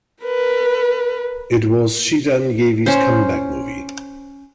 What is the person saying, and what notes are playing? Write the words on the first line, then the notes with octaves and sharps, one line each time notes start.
It was Chiranjeevi's comeback movie.
A#4 B4
C#4 C5